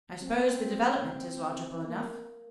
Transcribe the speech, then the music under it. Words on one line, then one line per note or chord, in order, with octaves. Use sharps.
I suppose the development is logical enough.
C4
A#3